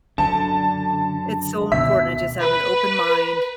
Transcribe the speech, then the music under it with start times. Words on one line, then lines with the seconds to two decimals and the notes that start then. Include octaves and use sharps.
it's so important to just have an open mind,
0.18 F#2 D3 A5
1.72 D2 B2 D#3 E5 B6
2.41 B4